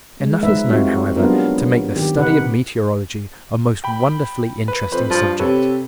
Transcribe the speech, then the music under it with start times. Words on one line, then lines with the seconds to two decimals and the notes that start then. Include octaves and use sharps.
Enough is known, however, to make the study of meteorology a most wonderfully interesting subject.
0.20 G#3
0.43 F3 G#3 D#4 B4 E5
0.69 G3 A3 C4 D#4 F4 F#4
1.17 F#3 G3 B3 D4 F4 A#4
1.95 D#3 G4
2.16 C3 D#4 B4 F#5
3.84 G5 B5
4.68 B4
4.92 F2 B4 C5 B5
5.10 G2 F3
5.40 C3 A4 B4 C#5